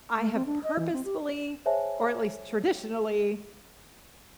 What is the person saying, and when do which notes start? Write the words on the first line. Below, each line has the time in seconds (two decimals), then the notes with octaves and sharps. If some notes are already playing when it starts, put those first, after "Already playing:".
I have purposefully, or at least traditionally,
0.17 A3
0.34 C4
0.46 D4
0.63 D#5
0.79 E3
0.93 C4
1.05 G4
1.65 G#4 C5 C#5 E5 G#5 A5